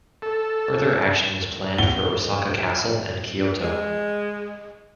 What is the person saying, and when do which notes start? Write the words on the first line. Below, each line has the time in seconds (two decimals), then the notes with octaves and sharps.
Further action was planned for Osaka Castle and Kyoto.
0.22 A4
1.78 G7
3.64 G#3